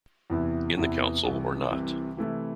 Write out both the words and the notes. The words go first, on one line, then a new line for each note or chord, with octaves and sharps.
In the Council or not.
E2 C3 E3 B3 E4
E2 C3 E3 B3 E4
C2 C3 E3
C2 C3 E3
C3 E3 A3 E4